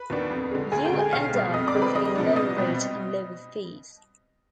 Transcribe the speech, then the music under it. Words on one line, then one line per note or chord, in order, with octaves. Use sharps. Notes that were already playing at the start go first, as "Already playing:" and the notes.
You end up with a lower rate and lower fees.
Already playing: B4 B5
D#2 D#3 B3 D4
F2
D3 G#3
D2 G#4 G#5
G4 G5
D3 G#3
G#4 G#5
B1 F5 F6
B2 G3
F2 D#5 D#6
D5 D6
D3 G#3 C4
B4 B5
F2 D#5 D#6
C3 F3 B3 D4
C2 D#5 D#6
B2 G3 C4